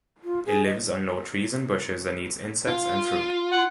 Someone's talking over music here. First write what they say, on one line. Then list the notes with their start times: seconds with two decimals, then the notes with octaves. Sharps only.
It lives on low trees and bushes and eats insects and fruit.
0.24 F4
0.46 G#4
0.66 D#5
2.68 F4
3.52 F#5